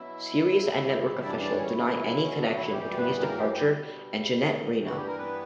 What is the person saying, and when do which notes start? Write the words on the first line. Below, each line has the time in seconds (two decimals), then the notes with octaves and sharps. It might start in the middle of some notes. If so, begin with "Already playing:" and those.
Series and network officials deny any connection between his departure and Janet Reno.
Already playing: B2 F#3 E4 E5
0.75 F#2 C#3 E3 G3
1.24 D4 D5
1.40 D4 D5
1.57 C#4 C#5
1.74 B2 E3 F#3 E4
2.23 C#4
2.39 D4
2.55 E3 E4
2.72 F#2 E3 G3 G4
2.97 B3 B4
3.21 A#3 A#4
3.38 G3 G4
3.54 G3 G4
3.70 B2 G3
4.69 G2 E3 G3
4.86 F#4
4.96 G4
5.07 A#4
5.18 B3 B4